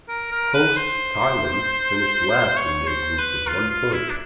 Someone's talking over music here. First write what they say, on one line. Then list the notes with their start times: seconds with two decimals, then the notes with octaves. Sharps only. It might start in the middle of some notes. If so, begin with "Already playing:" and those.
Hosts Thailand finished last in their group with one point.
0.08 A#4
0.31 A#4
0.54 B4
0.76 C5
2.57 C#5
2.87 C5
3.18 B4
3.48 F4
3.70 F4
3.93 E4
4.10 D4